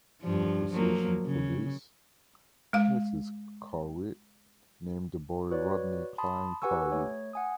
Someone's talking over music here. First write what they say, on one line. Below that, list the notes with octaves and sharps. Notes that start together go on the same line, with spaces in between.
In appreciation for this, Mrs. Carew named the boy Rodney Cline Carew.
G2 F3
F3 F#3 A#3
C#3
G#3 F5
F#4 B4 C#5 D5
A5 B5 C6 D#6
G4 B4 F#5 G#5 C#6 E6
A3 C#5
F#5 G#5 D#6